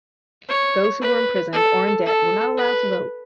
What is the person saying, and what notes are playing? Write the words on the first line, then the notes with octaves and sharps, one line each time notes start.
Those who were imprisoned or in debt were not allowed to vote.
C#5
B4
A4
A4
B4